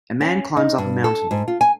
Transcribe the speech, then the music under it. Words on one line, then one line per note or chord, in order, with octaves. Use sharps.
A man climbs up a mountain.
C#4
D#4
G2
A4
G#2
F4
G#5